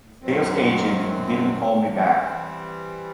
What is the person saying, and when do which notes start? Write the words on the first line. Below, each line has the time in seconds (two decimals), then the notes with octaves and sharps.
The sales agent didn't call me back.
0.22 F#2 D#3 F#3 C4
1.92 E3 G3 C4